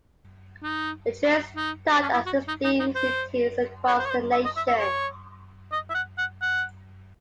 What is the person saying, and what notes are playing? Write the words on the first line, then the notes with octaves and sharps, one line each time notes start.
The train stopped at sixteen cities across the nation.
D#4
D#4
C#4
E4
F#4
D#4
D#4
D#4
C5
C#5
C5
C#5
C5
E5
D#5
E5
E5
C#5
D#5
E5
F#5
F#5
F#5